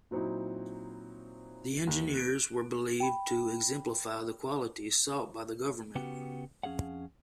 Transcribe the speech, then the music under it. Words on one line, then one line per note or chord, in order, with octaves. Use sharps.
The Engineers were believed to exemplify the qualities sought by the Government.
A#2 F#3 C4 D#4 E4
D#2
F#6 D7
G5 B5
C#3 B3 F#4 G4
F2 C#4 G#4 F5 F#5